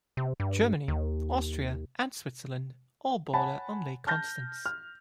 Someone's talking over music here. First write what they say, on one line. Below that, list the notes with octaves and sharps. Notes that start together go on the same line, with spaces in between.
Germany, Austria and Switzerland all border on Lake Constance.
C3
G2
D#2
C#5 F#5 G#5 A5 B5
A5 F6 G6 A#6
F6